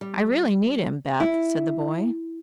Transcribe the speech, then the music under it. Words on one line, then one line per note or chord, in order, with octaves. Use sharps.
"I really need him, Beth," said the boy.
G3
E4